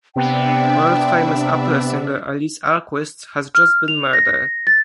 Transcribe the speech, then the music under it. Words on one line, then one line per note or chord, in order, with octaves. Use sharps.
World-famous opera singer Alice Alquist has just been murdered.
C3 B3 D4 D5 E5 G5
F6
F7
A#6
A6